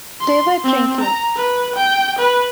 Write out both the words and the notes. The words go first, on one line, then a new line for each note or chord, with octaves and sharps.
They were drinking.
C6
C4
A#5
B4
G5
B4